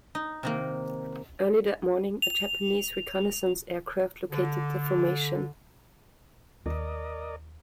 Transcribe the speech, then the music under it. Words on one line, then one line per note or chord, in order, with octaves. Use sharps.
Early that morning, a Japanese reconnaissance aircraft located the formation.
D#4
C3 D#3 A#3
F7
D3
D#2 A#4 D5 D#5